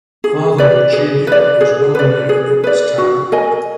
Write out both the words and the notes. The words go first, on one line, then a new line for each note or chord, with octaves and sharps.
Father Lucinio is well known in this town.
G#4
B4 D5
G#4
B4 D5
G#4
B4 D5
G#4
B4 D5
F#4
A#4 D#5 G#5